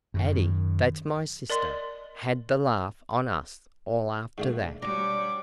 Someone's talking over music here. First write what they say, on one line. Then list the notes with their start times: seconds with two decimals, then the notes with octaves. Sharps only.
"Addie--that's my sister--had the laugh on us all after that."
0.14 F#2 D#3
1.50 A#4 D5 D#5 C6
4.38 G#2 D3 A3
4.82 G3 D4 F#4 C#5 A#5 D6